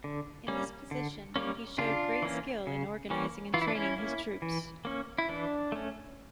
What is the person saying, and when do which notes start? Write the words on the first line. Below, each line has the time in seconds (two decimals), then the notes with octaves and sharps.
In this position, he showed great skill in organizing and training his troops.
0.04 D3
0.48 G3 A#3 C#4
0.91 D3
1.36 G3 A#3 C#4
1.78 C#3 D4 F4
2.22 E3 A#3 C#4
2.67 C#3
3.10 E3 A#3 C#4
3.54 E3 F4
3.62 E4
3.68 D4
3.75 C#4 E4
3.98 A#3 C#4
4.42 E3
4.85 A#3 C#4
5.18 E4
5.29 E3 D4
5.72 A3 C#4